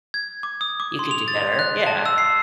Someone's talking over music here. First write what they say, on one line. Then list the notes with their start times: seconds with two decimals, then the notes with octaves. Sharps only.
"You could do better." Yeah.
0.14 G#6
0.43 D6
0.61 D#6
0.80 D6
0.99 C6
1.11 F7
1.28 A6
1.59 F#6
1.87 A5
2.06 E6
2.18 C7